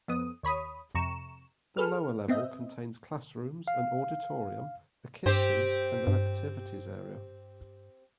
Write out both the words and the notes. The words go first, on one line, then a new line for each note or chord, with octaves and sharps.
The lower level contains classrooms, an auditorium, a kitchen and an activities area.
F2 B3 D#6
D#2 C#5 B5 D#6
F2 C3 A#5 C#6 E7
G#4 A4 B4 F6
B3 C4 D#5 E5
F5
G2 C4 G4 C5
G2